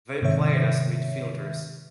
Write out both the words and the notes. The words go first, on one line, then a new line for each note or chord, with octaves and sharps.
They played as midfielders.
G#2 C3 D#3 C#5 E5